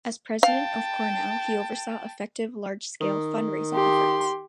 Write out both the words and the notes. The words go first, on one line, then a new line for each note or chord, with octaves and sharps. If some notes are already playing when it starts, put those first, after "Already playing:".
As president of Cornell, he oversaw effective large-scale fundraising efforts.
F5 G5 A5
D#3
G4 C6